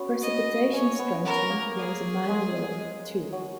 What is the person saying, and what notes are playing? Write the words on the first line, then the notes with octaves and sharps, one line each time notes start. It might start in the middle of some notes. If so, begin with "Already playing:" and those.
Precipitation strengthening plays a minor role, too.
Already playing: B3 C#4 F#4
D#5
C#4 C#5
B3
B3 A#4
A#3
G#4
G#3
F#3